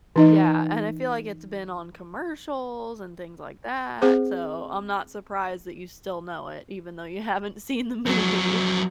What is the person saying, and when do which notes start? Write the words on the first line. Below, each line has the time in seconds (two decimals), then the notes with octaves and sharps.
Yeah, and I feel like it's been on commercials and things like that, so I'm not surprised that you still know it even though you haven't seen the movie.
0.16 E3 D#4 D#5
4.02 C4 G#4 C5
8.06 F2 F#3